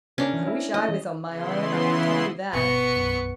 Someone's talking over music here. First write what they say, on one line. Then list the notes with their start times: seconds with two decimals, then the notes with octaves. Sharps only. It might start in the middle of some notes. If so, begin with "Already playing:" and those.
"I wish I was on my own, I can tell you that."
0.18 C#3 C#4 D4 A#4
0.34 E3
0.47 E4
0.74 D#5
0.89 E3
1.24 C#3 E3 B3 E4 C6
2.53 G1 B2 B3 C#6 A#6
2.96 B1 F#2